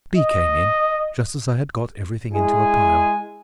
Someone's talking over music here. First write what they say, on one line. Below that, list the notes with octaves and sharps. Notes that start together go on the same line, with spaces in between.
B. came in just as I had got everything into a pile.
D#5
G#3 E4 G#4 G#5